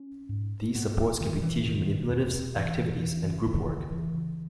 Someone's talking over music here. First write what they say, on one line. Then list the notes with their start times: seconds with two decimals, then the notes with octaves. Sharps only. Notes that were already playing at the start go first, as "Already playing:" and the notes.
These supports can be teaching manipulatives, activities, and group work.
Already playing: C#4
0.29 G#2
0.75 G#2 B3
1.20 E2 D#3
1.42 B2 E3
1.65 E2 D#3
1.88 B2
2.10 E2
2.33 B2
2.56 E2 E3
2.78 B2
3.01 E2 E3
3.23 C#3
3.46 E2 D#3
3.69 C#3
3.91 E2 E3
4.14 C#3